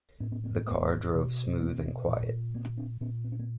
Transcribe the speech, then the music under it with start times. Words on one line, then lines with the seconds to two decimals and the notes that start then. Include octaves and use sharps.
The car drove smooth and quiet.
0.20 A2 B3 C#4
0.32 B3 C#4
0.44 A#3 C4
0.55 B3 C#4
0.67 A3 B3
1.14 B2
1.60 A#3 C4
2.07 A#2
2.54 A#3 C4
2.77 C4 D4
3.01 A#2 B3 C#4
3.24 C4
3.32 C#4
3.39 A#3 C4